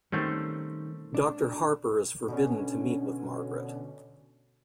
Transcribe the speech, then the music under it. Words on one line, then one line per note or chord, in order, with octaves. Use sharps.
Doctor Harper is forbidden to meet with Margaret.
D#3 G3 A3 C4 C#4
D4
B2 D3 C#4